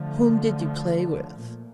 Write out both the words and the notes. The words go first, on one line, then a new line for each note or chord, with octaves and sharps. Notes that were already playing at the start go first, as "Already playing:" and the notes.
"Whom did you play with?"
Already playing: D3 F3 A3
A#2